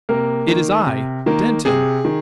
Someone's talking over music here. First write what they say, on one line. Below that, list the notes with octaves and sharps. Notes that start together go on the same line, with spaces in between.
It is I--Denton.
C3 A#3 A#4
D#3 A#3
C3
D#3 A#3
C3 G#4
D#3